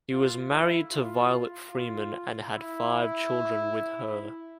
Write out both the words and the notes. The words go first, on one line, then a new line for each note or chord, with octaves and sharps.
He was married to Violet Freeman and had five children with her.
F4
E4
F4
F4
E4